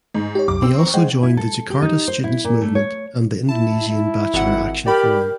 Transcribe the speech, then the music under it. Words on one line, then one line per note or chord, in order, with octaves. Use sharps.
He also joined the Jakarta Students Movement and the Indonesian Bachelor Action Forum.
G#2
G4 C#5
C2 F#2 D6
C4 D6 E6
C5 A#5 C#6
G#3 C5 F#5 G5
E4
A4
G4
D#4
C5
E4
A#2
A3
C#5
E4 A5
E4
G#1 F#5
G4 A#4 D5 B5